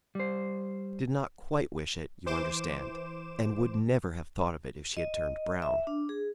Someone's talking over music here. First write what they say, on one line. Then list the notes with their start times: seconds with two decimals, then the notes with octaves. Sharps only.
She did not quite wish it, you understand, and would never have thought of it if she had turned brown.
0.15 G3 C5
2.26 E3 C5 D6 E7
4.97 D#5
5.62 E5
5.87 D4
6.09 G#4